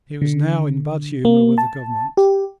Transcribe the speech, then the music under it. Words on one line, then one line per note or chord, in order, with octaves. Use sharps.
He was now in bad humour with the government.
D3
A#3
A5
G4